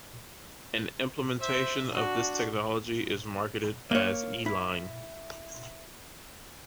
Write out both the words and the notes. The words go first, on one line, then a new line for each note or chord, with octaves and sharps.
An implementation of this technology is marketed as E-Line.
C5 E5
D4 F#4
A#3 C#5
E4